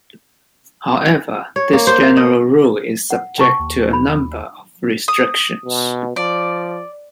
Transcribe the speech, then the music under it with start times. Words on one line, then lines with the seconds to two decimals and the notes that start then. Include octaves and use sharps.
However, this general rule is subject to a number of restrictions.
1.56 C#5
1.73 A#3
1.87 C5
2.02 F5
2.17 D#5
3.11 F#5
3.38 C3 G5 A5 C#6
3.59 D#2
3.91 D#4 B5
5.08 D#6
5.64 B2
6.16 F3 D5